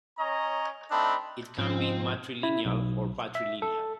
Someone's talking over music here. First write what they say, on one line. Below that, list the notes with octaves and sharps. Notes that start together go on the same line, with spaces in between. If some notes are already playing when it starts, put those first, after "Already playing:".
It can be matrilineal or patrilineal.
C#4 C#5 D#5 A#5
A3 C4 D4 D#4 B5
G#2 F3 C4
E4
B1
E5
A4